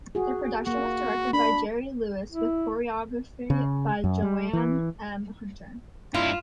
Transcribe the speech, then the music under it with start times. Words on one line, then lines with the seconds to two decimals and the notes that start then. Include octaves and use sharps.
The production was directed by Jerry Lewis, with choreography by Joann M. Hunter.
0.15 F#4 G#4
0.67 A#3 F#4
1.33 D4 B5
2.31 E4
3.50 C#3
4.04 F#2
4.22 G3
4.53 E3
6.14 G2 E4 F4